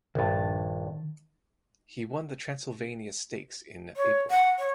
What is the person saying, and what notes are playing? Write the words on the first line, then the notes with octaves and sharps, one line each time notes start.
He won the Transylvania Stakes in April.
A#1 G2 D#3 A5
C#5
F#5
C#5